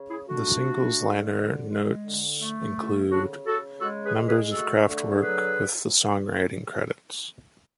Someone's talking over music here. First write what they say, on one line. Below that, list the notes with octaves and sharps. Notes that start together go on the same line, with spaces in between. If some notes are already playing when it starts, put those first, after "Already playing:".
The single's liner notes include members of Kraftwerk with the songwriting credits.
Already playing: C#3
E4 G#4
A3 D4 F#4
A3
D3
D3
G#3
D3
A3
D3
C#3 D4 F#4
C#3 F#4 A4
G#3 F#4 A4
G#4 B4
G#3
G#4 B4
A3 F#4 A4
D3
F#3 G#4 B4